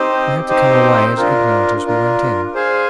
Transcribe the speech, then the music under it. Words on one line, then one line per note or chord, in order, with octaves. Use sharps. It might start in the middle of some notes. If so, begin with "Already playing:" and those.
We had to come away as ignorant as we went in.
Already playing: C4 D#4 G4 C5 D#5
C4 D#4 G4 C5 D#5
D4 F4 A#4
D4 F4 A#4
G#4 C5 F5 G#5